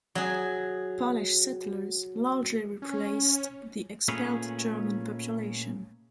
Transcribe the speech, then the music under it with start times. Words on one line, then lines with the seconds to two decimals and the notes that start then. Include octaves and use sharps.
Polish settlers largely replaced the expelled German population.
0.15 F#3 G#4
2.82 C#4
4.08 A#2 A3 C#4 G#4 B4 C#5